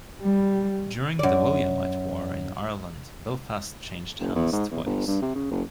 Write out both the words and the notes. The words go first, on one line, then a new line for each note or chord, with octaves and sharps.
During the Williamite War in Ireland Belfast changed hands twice.
G3
F#2 D5
F#1
E2
G#2
E2
G1
G2
C3
C#3
F#1